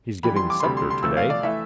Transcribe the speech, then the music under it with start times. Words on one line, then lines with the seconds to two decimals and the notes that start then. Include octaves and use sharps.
He's giving Sceptre today.
0.23 F2 E3 G3 B5
0.36 C6
0.50 D6
0.60 C6
0.63 D2 C3 G3 B5
0.77 C6
0.90 C6
1.03 E2 C3 F3 A3 E6
1.17 F5
1.30 D5
1.43 E3 A3 E5